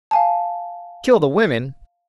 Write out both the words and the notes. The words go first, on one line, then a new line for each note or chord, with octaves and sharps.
Kill the women?
F5 G#5 A5